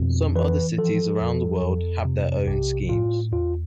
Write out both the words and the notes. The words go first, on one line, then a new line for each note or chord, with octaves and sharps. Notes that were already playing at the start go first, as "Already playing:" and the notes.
Some other cities around the world have their own schemes.
Already playing: F2 B2
E3 B4
F3 A4
F2
F2
C3
B1 G4
A2 F4
E2 F4